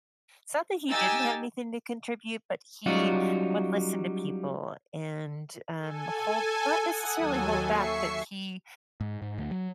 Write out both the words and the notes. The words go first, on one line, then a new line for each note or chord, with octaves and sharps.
It's not that he didn't have anything to contribute, but he would listen to people, and, um, hold not necessarily hold back, but he
D#4 G4 G#5 E6 A6
F#3 G3 C#4 D#4 F4 F#4
A4 G#5
F#5 D#6
D#2 F#3 A4 G#5
E5 C#6 C7 C#7
G#2
G#2
D2
F#3